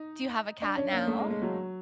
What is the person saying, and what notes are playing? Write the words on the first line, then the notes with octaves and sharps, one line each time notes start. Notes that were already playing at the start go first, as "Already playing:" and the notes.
do you have a cat now?
Already playing: D#4
D4
C#4
A#3
A3
G#3
G#3
F#3